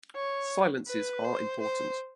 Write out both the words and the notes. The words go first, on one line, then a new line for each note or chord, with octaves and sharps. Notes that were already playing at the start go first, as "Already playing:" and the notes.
Silences are important.
C#5
B4
C5
C5